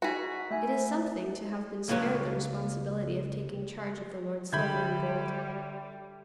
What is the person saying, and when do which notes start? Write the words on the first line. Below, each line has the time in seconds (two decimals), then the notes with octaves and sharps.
It is something to have been spared the responsibility of taking charge of the Lord's silver and gold.
0.02 D#4 F#4 G#4 B6
0.51 A3 E5 G#5
1.88 C#2 A#3 A4 B4 C#5
4.53 D3 G3 G4 E5 B5 G6 G#6